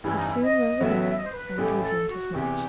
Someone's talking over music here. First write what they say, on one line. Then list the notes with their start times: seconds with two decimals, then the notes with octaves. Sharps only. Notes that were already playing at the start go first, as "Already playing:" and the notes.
He soon rose again and resumed his march.
0.04 A1 G2 E3 G3 E4
0.15 D#4
0.28 E4
0.42 D#5
0.80 A1 A2 F#3 B3 F#4 E5
1.09 E5
1.17 D#5
1.24 C5
1.33 B4
1.57 A1 A2 E3 G4
1.83 A4
2.09 F#4
2.34 E2 C3 E3 G4